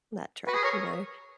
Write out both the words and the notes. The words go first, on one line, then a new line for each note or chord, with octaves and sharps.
that track, you know,
F#4 B4
G#4
A#4 C#5